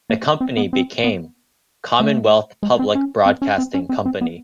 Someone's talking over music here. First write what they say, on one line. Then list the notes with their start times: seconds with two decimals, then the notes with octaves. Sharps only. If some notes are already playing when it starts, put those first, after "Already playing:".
The company became Commonwealth Public Broadcasting Company.
0.10 A#3
0.41 C4
0.57 B3
0.73 C4
1.04 B3
2.00 A3
2.63 G#3
2.79 C4
2.95 C#4
3.26 C4
3.42 C#4
3.58 C4
3.74 C#4
3.89 C4
4.06 C4
4.21 B3